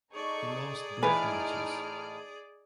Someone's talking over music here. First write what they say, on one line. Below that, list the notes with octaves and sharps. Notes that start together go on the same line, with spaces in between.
He lost both matches.
D#4 G#4 A4 D5 C#6
A2 E3 D#4 B4 G#5 F6 D7